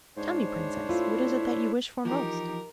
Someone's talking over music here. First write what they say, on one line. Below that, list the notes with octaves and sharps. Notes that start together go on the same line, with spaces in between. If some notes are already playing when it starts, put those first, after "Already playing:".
Tell me, Princess, what is it that you wish for most?
G#2 D4 C5 C#5
A2 E4 F4
E3 F3 D#4 G4 A#4